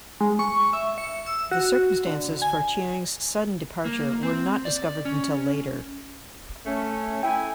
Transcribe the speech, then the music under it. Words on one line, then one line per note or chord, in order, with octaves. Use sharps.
The circumstances for Chiang's sudden departure were not discovered until later.
G#3
C#6
E5
C#7
E6
F#4
F#4
D3
G#5
A#3
C4
D5
C#4
A3 C#4
E4 G5 G#5